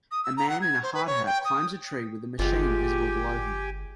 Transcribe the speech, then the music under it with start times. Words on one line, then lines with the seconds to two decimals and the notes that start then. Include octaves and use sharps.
A man in a hard hat climbs a tree with a machine visible below him.
0.11 D#6
0.24 E6
0.37 A#5
0.49 F#5
0.62 G#6
0.83 C5
0.94 B4
1.07 C#5
1.26 G5
1.45 D#6
2.39 G1 G#3 F4 G4 G#5